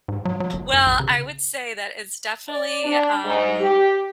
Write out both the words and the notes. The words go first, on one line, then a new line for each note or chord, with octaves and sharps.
Well, I would say that it's definitely um,
G#2
F#3
F#3
G1
F#2
A#1
C#3
D5
D4
G#2
G4